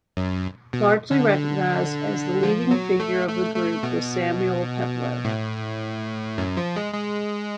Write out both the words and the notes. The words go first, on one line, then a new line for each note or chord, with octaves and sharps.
Largely recognised as the leading figure of the group was Samuel Peploe.
F#2
B2
D3
F3
F#3
A3
A3
A3
B2
A2
F#2
F3
G#3
G#3